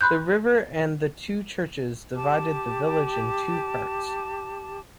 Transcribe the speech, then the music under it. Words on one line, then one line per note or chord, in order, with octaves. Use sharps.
The river and the two churches divided the village in two parts.
B5 C6 F#6 G6
G4 A5 D6